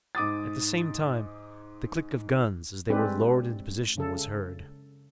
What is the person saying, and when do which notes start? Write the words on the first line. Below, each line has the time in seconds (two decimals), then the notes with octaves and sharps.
At the same time, the click of guns, as they were lowered into position, was heard.
0.15 G#2 D6 D#6 A6
2.90 G#3 C4 D4 G4 B4
3.98 C#3 A4